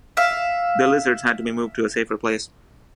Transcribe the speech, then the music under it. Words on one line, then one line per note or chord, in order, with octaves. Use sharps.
The lizards had to be moved to a safer place.
E5 F5